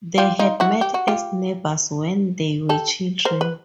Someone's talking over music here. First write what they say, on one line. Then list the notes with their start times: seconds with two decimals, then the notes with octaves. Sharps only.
They had met as neighbors when they were children.
0.18 F4 G4
0.39 D#4 F4
0.60 E4 F#4
0.81 G4
0.94 F#4
1.08 F4 G4
2.69 G4 A4
3.25 A#4 C5
3.41 B4